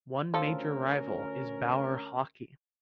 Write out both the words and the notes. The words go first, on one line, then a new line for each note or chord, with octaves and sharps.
One major rival is Bauer Hockey.
D2 F3 C#4 A4 A#4